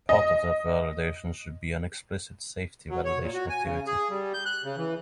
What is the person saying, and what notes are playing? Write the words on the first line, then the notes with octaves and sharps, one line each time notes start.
Part of that validation should be an explicit safety validation activity.
D#5
F#3
C#5
A#2
F#4
G#5
C#3
G#4
G3
G6
F#6
C#3
E3